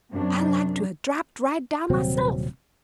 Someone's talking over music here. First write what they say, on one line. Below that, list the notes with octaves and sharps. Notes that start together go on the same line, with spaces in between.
I like to 'a' drapped right down myself!
F#2 C3 D4
D#1 C3 F#3 C4